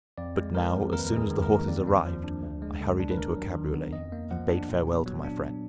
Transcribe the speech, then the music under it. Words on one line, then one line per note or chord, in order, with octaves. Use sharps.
But now, as soon as the horses arrived, I hurried into a cabriolet, and bade farewell to my friend.
F2 D5
G#3
F3 A#4
F2
D#2 A#4
B4
A#4
G#3
G#4
D#3
A#4
D#2
F2 D5
A#3
F3
D4
D2
G#3
D3
D4
B4
D#2 A#4
F#3
D#3
B3
F2 D#5
A#3
F3 F#5
D4
A#2
B3
F#3
D4